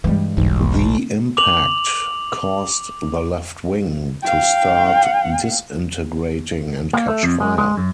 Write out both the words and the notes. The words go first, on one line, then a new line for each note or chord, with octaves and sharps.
The impact caused the left wing to start disintegrating and catch fire.
G2 E3 G3 G#3
E1 B1 G#2 E3
D6 F7 F#7
F5 G5
A#3
A3
F2
G#3
G#3
F#2